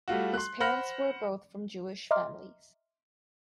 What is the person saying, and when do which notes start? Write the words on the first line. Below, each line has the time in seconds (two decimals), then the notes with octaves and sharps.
His parents were both from Jewish families.
0.08 G3 A3 F4 F#4
0.34 C6 F#6
0.60 C5 F#5 B5 F6 A#6
2.11 D#5 E5 A#5 C6 D6 F6